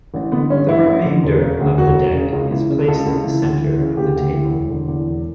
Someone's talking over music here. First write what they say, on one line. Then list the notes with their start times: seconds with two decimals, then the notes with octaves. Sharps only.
The remainder of the deck is placed in the centre of the table.
0.14 A1
0.32 D3 B3
0.50 G2 C#4
0.69 A1 E4
0.87 A1
1.05 D3
1.23 E1
1.41 C#3
1.60 D2
1.78 E1 F#4
1.96 E1
2.15 C#3
2.33 C#2
2.51 E3
2.69 C#3
2.88 C#2 A4
3.06 C#2
3.24 E3
3.42 D2
3.61 E3
3.79 C#3
3.97 D2 G4
4.16 D2
4.34 E3
4.52 E1
4.70 D3
4.88 E2
5.07 E1